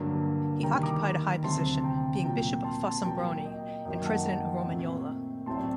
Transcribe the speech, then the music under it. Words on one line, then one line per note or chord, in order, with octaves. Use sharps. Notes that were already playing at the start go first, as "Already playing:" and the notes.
He occupied a high position, being bishop of Fossombrone and president of Romagnola.
Already playing: G2 D3 F#3 A#3
D#2 D#3 G3 G5 A#5
A#5 D6
D2 C3 F#3 C4 A5 C6
G5 A#5
A#2 F#3 C4 G5 A#5
A5 C6
A5 C6
A#2 F#3 A#3 G5 A#5
D#5 G5
F#2 D#3 F#3 A#3 D#5 G5
F#5 A5
G5 A#5
A#2 A3 C4
A2 F#3 A3 C4 A5 C6
D5